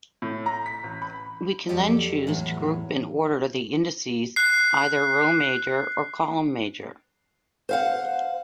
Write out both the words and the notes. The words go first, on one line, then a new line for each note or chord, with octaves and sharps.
We can then choose to group and order the indices either row-major or column-major.
A2
A#5
B6
A1
B5
F2 F#3 G4 A4 D5
E2 A2 F#3
F#6 C7
C5 F5 F#5